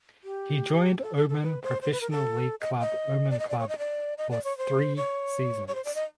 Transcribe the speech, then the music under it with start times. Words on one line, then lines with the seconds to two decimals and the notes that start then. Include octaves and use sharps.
He joined Oman Professional League club Oman Club for three seasons.
0.24 G4
1.03 A4
1.16 A4
1.29 A4
1.42 B4
1.62 C5
1.82 C5
1.92 B4
2.01 A#4
2.11 A4
2.61 D#5
2.81 D#5
3.31 D5
3.39 D#5
3.49 D5
3.59 C#5
3.69 D#5
3.79 D5
4.18 D#5
4.31 D5
4.44 C#5
4.58 C5
4.97 C#5
5.68 C#5
5.75 C5
5.85 D5
5.95 D#5